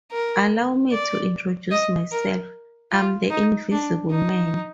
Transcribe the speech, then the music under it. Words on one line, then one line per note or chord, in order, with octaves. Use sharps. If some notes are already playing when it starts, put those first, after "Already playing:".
Allow me to introduce myself--I'm the Invisible Man!
A#4
D5
D#5
A#4
F4
D#4
D4
D#4